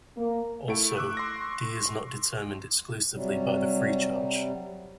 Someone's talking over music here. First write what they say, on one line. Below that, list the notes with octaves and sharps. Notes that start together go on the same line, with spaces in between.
Also, D is not determined exclusively by the free charge.
A#3
A3 E4 C#6 D7
D6 E6 F#6
C6 A#6
C3 F#3 G3